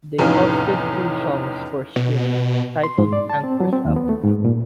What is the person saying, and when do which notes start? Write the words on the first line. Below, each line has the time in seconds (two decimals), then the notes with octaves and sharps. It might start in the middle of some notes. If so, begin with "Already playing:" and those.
They posted two songs for streaming, titled Anchors Up!
0.18 F1 E2 A2 C#4 D#4 F4
1.96 B2
2.84 C6
2.98 G#2
3.13 D5
3.30 A5
3.44 C4
3.60 F#3
3.73 C4
3.85 D#2
3.96 B3
4.09 A3
4.24 G#2
4.45 A#2